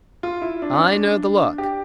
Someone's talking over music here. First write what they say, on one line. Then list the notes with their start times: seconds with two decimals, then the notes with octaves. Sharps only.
"I know the look."
0.23 F4
0.42 E4
0.62 D4
0.73 C#4
0.81 D4
1.58 G4